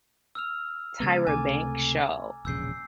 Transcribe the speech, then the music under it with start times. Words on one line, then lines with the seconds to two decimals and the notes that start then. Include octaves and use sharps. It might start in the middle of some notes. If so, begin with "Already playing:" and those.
Tyra Banks' show
0.35 E6 F6 F7
1.00 C#3 G#3 B3 A#5 G#6 A6
1.27 C#2 C3 A3 G#5 D6
2.45 E1 A#1 C#3 E6 G6 C7